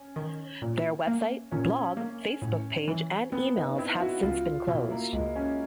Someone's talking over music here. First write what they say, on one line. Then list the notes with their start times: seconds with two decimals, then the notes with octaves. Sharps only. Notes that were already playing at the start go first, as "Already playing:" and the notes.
Their website, blog, Facebook page, and emails have since been closed.
Already playing: C#4
0.16 D#3
0.62 A#2
1.07 A#3
1.51 A#2 C#4
1.97 A#3
2.42 A2
2.88 E3
3.32 B3 C4
3.56 D#4
3.78 C4 E4
4.00 F#4
4.23 C#2 F4
4.67 B2 E4
4.91 A#3
5.13 C#2 G#3
5.35 C#4